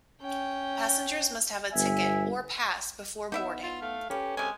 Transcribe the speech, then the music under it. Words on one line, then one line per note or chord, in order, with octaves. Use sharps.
Passengers must have a ticket or pass before boarding.
C#4 G5
G1 B3 E5 G#5
B3 D#4 E4 E5
F4
A3 F5
C#4 G4 A4 B4
C3 G#3 C#4 G#5